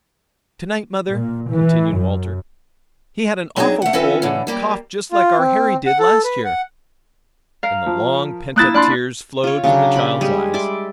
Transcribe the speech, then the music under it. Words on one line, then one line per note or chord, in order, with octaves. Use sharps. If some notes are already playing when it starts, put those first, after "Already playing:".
"Tonight, Mother," continued Walter, "he had an awful cold and coughed just like our Harry did last year," and the long pent up tears flowed from the child's eyes.
A#2
E3
F#2
F#3 C4 D4 D#4 G#4
A3 F#5
E3 C4 C#4 F4 A4 B4
A2 D3 E3
G3 A#3 G4
F4
C4
F#5
A4
B4
F#5
A#4 F5
F3
A#3 E4 D#6 F#6 A6
D4 D5 B5 C6 F#6
F4 C#5
C#3 F#3 D4 F#4
G4 B5
G3 G#3 G4 G#4
D5 E5 C6 D6